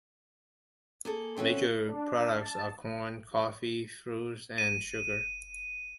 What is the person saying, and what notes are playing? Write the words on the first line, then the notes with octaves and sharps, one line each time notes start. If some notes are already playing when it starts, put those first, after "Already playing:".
Major products are corn, coffee, fruits, and sugar.
A#3 G#4 A4
E3 C4 C#4 A4 F#5
D4
A5
D#7